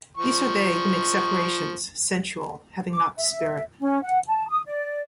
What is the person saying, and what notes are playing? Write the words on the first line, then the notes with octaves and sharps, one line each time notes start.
These are they who make separations, sensual, having not the Spirit.
F3 C#6
D6
E5
C#4
F#5
A5
D#6
D5